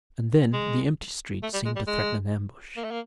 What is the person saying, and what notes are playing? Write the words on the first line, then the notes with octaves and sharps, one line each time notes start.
And then, the empty street seemed to threaten an ambush.
G#3
A3
G3
G#3
G3
G#3
A#3
A3
A#3